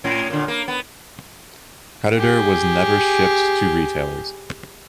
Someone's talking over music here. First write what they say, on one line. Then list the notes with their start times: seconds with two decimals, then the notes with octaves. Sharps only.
Predator was never shipped to retailers.
0.04 A2 C#4
0.30 A#2 D3
0.48 A#3
0.68 B3
2.17 G4 G#4